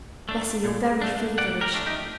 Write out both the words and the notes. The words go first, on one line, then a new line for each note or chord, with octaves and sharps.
'Bessy! you're very feverish!
A3 D4
A#2
A3 D4
A#2 D5 F#5
G4 A#4
A3 D4
D#4 G4